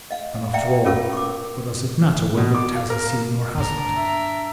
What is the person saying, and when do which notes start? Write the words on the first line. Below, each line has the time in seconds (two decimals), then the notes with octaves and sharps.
And, after all, what does it matter whether it has a ceiling or hasn't?
0.11 D#5 F5
0.53 D5 E5 F5 G5 A#5
0.85 C#4 F4 A4 A#4 F5 C#6
1.13 C#6 D6
2.38 B2
2.55 D6
2.75 F5
2.90 A#4
3.58 G2 D4 A#4
3.97 E5